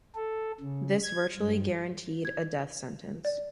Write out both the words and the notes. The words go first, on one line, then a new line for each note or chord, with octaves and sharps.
This virtually guaranteed a death sentence.
A4
C#3
G#6
G2
G#6
D5